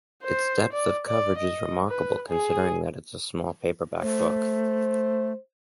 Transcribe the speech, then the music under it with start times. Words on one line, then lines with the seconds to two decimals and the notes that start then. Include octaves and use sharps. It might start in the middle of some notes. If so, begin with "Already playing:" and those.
Its depth of coverage is remarkable, considering that it is a small paperback book.
0.23 C5
0.73 D5
1.07 D5
1.38 D#5
1.89 B4
2.28 G#4
4.02 A3 C5